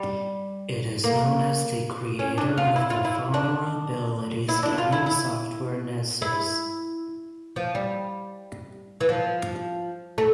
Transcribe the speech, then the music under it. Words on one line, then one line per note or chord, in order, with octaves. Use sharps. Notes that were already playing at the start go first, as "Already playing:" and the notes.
It is known as the creator of the vulnerability scanning software Nessus.
Already playing: G3
A#3
C#4
D4
F4
E4
F4
E4
D4
E4
D4
F4
E4
E4
E4
F3
G3
E3
F3
A3